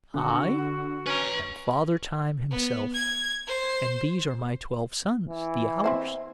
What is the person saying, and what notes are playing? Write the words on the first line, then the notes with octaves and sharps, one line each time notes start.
I am Father Time himself, and these are my twelve sons, the Hours.
D3 F#4
C#4 B4 A#5
B3
G#6
C5
E3
C4 E4 C5